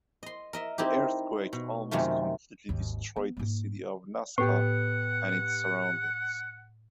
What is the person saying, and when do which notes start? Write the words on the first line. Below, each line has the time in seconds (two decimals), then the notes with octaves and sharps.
The earthquake almost completely destroyed the city of Nasca and its surroundings.
0.23 D#5 C6
0.53 A#4 D#5 E5
0.78 C4 D#4 E4 G4
1.53 B2
1.91 F#2 C3 D#3 A3 F4
2.69 G#1 D#2
3.16 B3
3.37 G#2 A#3
4.38 A2 B3 G4 F#5